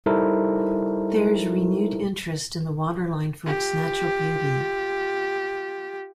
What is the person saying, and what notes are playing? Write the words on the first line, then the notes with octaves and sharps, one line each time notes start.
There is renewed interest in the waterline for its natural beauty.
G3 D#4 E4 A4 A#4 C5
F4 G4